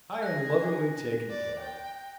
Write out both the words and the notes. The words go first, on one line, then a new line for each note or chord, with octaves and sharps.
I am lovingly taken care of.
G#4 F#6 A#6
D5
G5